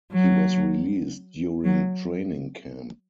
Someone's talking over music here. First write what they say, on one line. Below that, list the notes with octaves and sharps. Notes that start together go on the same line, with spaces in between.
He was released during Training Camp.
F#3
F#3